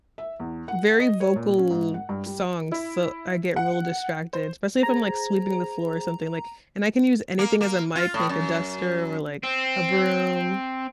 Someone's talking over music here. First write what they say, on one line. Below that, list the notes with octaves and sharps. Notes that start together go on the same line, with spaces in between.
very vocal songs, so I get real distracted, especially if I'm, like, sweeping the floor or something, like and I can use anything as a mic, like, a duster or, like, a broom.
E5
E2
F#5
D#5
C#5
A#2
C#4
G#2
F#5
G2
G3
E4
F#5
C5
G#4 C5 A#5
A#3
A#3
F4
A2
F#2
C4